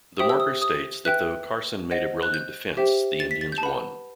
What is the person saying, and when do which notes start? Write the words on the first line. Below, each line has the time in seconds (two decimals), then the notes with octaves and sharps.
The marker states that though Carson made a brilliant defense, the Indians won.
0.19 G4 C5 E5 G5 D#6
0.29 E6
0.40 D#6
0.62 D#6
1.05 B4 E5 G5 F#6
1.91 C5 D#5 F#5
2.23 F#6
2.34 G6
2.77 G4 C5 E5 G5
3.20 A6
3.31 B6
3.41 A6
3.52 G6
3.58 A5
3.63 B4 F#5 B5